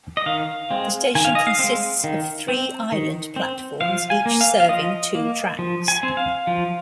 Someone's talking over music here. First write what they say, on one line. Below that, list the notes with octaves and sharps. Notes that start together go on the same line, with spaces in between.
The station consists of three island platforms, each serving two tracks.
D#5
D#3 F5
G#3 C4
D#3 G#5
F5
D#5
F5
G#3 C4
D#3
C4
D#3
C4
F3 F5
G#5
A#3
F5
F5
F3 D#5
A#3
F3
G#5
C4
F5
F3